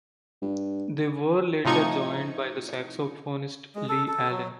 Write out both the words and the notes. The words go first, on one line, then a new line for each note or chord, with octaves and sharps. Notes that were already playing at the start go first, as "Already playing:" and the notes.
They were later joined by the saxophonist Lee Allen.
G2
A2 C3 F3 D#4 C#6 G#6
G#3
A4
A4
F#3